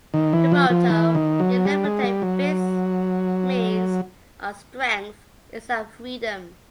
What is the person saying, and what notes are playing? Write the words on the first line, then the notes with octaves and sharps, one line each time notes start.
The motto, "In Libertate Vis", means "Our Strength is our Freedom".
D#3
E3
F3
F3
E3
D#3
F#3
G3
G#3
G3
F#3